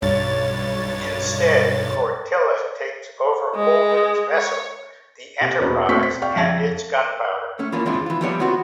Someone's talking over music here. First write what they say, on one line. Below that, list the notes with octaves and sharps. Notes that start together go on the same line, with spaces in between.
Instead, Cortilla takes over Holden's vessel, the "Enterprise", and its gunpowder.
B1 G2 C#5 A6
G#3
C#5
C3
E2 B2 C#4 B4 A#5
B2 A3 C4 E5 C#6 B6
B6
D5 F5 G5 C#6
F2 C#3 E5 A5 G#6
A3 C#4
E3 A#3 C#4 D4 F4
E3 G#3 C4 D4 E4 F4
E3 F4
E3 F3 G3 B3 C#5 D5
E3 B3 C4 F4 F#4